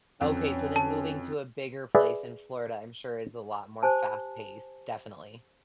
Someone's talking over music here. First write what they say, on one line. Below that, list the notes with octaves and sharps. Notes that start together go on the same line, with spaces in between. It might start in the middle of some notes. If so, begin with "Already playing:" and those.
Okay, so then moving to a bigger place in Florida, I'm sure, is a lot more fast-paced, definitely.
F2 E3 F#3 C#4
A5
G#4 B4 D5 E5
G4 C5 G#5 A5